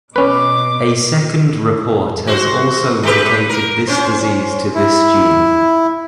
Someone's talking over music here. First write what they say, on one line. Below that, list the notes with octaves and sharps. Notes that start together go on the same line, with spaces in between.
A second report has also located this disease to this gene.
B2 C#4 B4 D6
F#4 C5
G#3 G4 B4
A#4
C#4 C5
E4